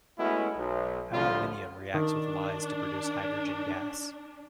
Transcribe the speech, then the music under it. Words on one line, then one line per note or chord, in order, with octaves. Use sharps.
Aluminium reacts with lyes to produce hydrogen gas.
G#3 A3 B3 C#4 E4 F#4
B1
C2 A2 D3 F3 G3 F4
D#3 D4